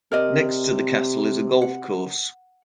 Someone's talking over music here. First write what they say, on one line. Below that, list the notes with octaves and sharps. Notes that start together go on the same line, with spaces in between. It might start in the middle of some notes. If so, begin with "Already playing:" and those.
Next to the castle is a golf course.
C3 A#4 D5 D#5
F#5